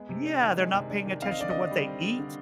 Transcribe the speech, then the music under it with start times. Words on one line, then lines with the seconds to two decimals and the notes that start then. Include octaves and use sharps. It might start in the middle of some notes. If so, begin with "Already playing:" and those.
Yeah, they're not paying attention to what they eat,
Already playing: G#3 B3
0.09 C3
0.26 D4
0.42 D#3
0.57 G#3
0.74 C3
0.90 D4
1.06 D#3
1.22 C4 F5
1.31 D#5
1.38 D3 D5
1.50 D3 D#5
1.71 G3
1.87 C4
2.03 D3
2.19 D3